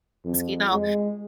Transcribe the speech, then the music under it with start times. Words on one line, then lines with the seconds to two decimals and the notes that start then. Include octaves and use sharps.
you know?
0.25 F2
0.72 G#3